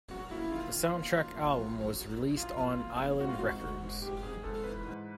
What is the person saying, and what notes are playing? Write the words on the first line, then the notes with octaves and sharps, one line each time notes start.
The soundtrack album was released on Island Records.
F#3 F#4
A#3 E4
D#3 F4
D#3
A#3
F#3
A#3
F#3
F#2
F#3
F#2
F#3 F4
A#3
A#3
A#3
G#2 F#4
F4
G#2 F#4
G#2
G#2
G#2 G4
G#2 G#4
G#2 A4
E3 B4
G#2